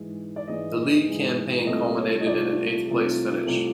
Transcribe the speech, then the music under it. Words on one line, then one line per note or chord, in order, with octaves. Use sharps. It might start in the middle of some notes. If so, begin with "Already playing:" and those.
The league campaign culminated in an eighth-place finish.
Already playing: G#2 E3 G#3
D5
G#2 E3 G#3 D#5
G#2 E3 G#3
C2 C3 F3 A3 D#5
C#5
D#5
C2 C3 F3 A3 D5
C2 C3 F3 A3
C2 C3 F3 A3